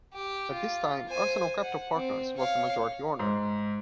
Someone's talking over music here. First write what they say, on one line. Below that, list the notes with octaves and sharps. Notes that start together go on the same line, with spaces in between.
At this time, Arsenal Capital Partners was the majority owner.
G4
F4
C5 G#5
F#5
C4
C#5 F5
G#2